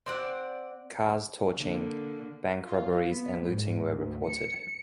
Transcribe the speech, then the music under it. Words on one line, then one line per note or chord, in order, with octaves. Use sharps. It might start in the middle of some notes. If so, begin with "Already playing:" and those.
Cars torching, bank robberies and looting were reported.
C4 D5 F#5
D3 A#3
F4
B3
G#2
D2
C#7